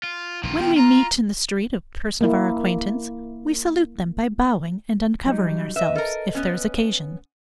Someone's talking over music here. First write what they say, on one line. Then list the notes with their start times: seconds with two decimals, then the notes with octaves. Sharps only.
When we meet, in the street, a person of our acquaintance, we salute them by bowing and uncovering ourselves, if there is occasion.
0.03 F4
0.43 A#1 D3 D#3 F4
0.60 B3 G5
0.78 F4 A#5
2.21 A#3 E4
5.25 F#3 G3 D#4
5.76 B4 D#5 E5
5.95 A4 A#4
6.35 B3 C#4